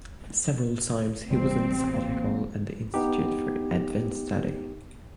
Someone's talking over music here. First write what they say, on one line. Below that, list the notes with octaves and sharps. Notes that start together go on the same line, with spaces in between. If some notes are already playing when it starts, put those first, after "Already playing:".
Several times he was on sabbatical at the Institute for Advanced Study.
A1 C3 G3 C4
A#3
B3 D#4 G4